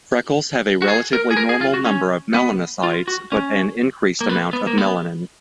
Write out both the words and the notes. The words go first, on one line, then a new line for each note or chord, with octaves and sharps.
Freckles have a relatively normal number of melanocytes but an increased "amount" of melanin.
F#4
G#4
A#4
G#4
A#4
G#4
F4
F#4
C#4
B3
F4
F#4
C#4
A#3
B3
B3
A#3
B3